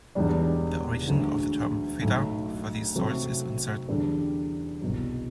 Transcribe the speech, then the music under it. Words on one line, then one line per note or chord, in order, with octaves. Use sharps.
The origin of the term "Feder" for these swords is uncertain.
E1 E2 B2 G3 D4
D2 D3 F#3
B1 A2 F#3
C3 F#3 A3 C4 F#4
E2 D3 G3 D4 A4
C2 B2 F#3